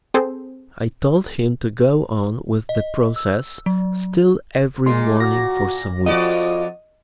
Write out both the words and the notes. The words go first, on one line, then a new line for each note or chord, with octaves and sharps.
I told him to go on with the process still every morning for some weeks.
C4 G#4 A4 C5
D#5
E6
F#3
A#2 G#3 C6
F#4 A#6
F2 F4 F#4 D5 D#5